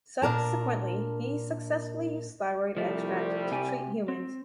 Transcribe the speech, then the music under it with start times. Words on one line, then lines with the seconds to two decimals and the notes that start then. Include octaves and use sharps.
Subsequently he successfully used thyroid extract to treat humans.
0.22 A#2 D4 A#4 A5
2.77 C2 F3 G3 A3
3.52 C3 G4 G#5
4.08 C4